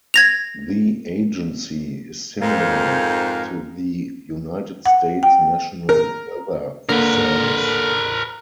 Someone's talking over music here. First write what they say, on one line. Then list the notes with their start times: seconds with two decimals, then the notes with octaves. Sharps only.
The agency is similar to the United States' National Weather Service.
0.14 G#6 A#6 F7
2.41 F2 G#2 A#4 F5
4.86 F#5
5.23 G5
5.89 A#4
6.89 D3 A#3 A#4 B4